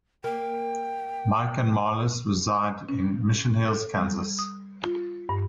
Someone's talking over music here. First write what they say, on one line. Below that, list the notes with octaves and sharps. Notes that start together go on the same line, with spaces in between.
Mike and Marlys reside in Mission Hills, Kansas.
A#3 G5
C#4
A4
G3
D#6
F4
G2